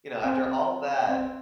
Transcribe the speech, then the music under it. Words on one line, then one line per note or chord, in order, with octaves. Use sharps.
you know, "After all that,"
C4
C4